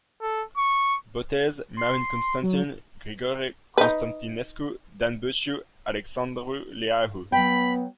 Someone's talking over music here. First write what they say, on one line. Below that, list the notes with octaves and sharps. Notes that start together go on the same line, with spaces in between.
Botez, Marin Constantin, Grigore Constantinescu, Dan Buciu, Alexandru Leahu.
A4
C#6
C6
F#3
D#4 B4
F#3 B3 G5 B5